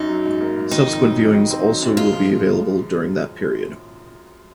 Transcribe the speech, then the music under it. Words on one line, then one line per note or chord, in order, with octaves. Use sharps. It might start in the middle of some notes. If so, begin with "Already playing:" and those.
Subsequent viewings also will be available during that period.
Already playing: F#2 D#4
F#3
G#2
A#3
G#2
D#3 D#4
F2
F#3
F2
D#3
C4
F#3
F#2
G#3 F4
F3